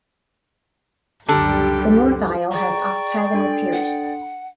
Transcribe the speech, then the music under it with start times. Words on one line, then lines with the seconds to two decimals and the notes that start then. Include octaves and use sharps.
The north aisle has octagonal piers.
1.29 C#2 F#2 D3 G3 G4 A4 A#4
2.52 G#4 D5 G5 A#5 C#6
3.34 D4 A4 C6
3.73 F#5